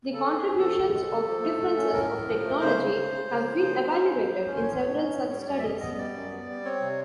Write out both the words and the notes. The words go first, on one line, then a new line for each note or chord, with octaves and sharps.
The contributions of differences of technology have been evaluated in several such studies.
C#3 A4
C4
G#4
C4
F3 A4
C#3
G#3
C#3
F3
A3
A3
C#4
A2 A#4
A2
F3
A3
C#3 C5
C#3
C#3
C#3
C#3
F3
C#3
F3
C#4
A#3
F3
C#4
C5
A2 C#5
A2
C#4
A2
G3 C#5
C#5
F#2 D5
E5
G3 D#5
B3 D#5
G3 D5
F#2
B3
G3
C4 C#5
C3